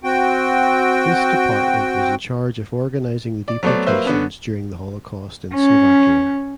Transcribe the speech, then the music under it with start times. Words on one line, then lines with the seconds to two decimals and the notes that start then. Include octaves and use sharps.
This department was in charge of organizing the deportations during the Holocaust in Slovakia.
0.04 C4 F#4 G5
3.48 D5
3.63 F#3 A3 B3 A4 C5 D5
3.86 F#3 A#3 B4 C5 E5
4.05 D3 B3 C#4
5.55 C#4